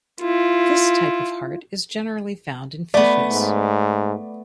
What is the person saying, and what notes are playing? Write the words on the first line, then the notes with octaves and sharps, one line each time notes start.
This type of heart is generally found in fishes.
E4 F4
A3 B3 D5
G#2